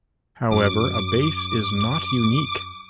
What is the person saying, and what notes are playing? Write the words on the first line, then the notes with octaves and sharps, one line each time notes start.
However, a base is not unique.
F#2 F#3 D6